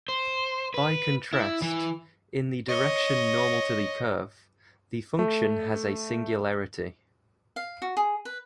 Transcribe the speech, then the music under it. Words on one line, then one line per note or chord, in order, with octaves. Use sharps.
By contrast, in the direction normal to the curve, the function has a singularity.
C5
B4
E4
E3
C#5 D#5
A3
F5
F#4
G#4
B4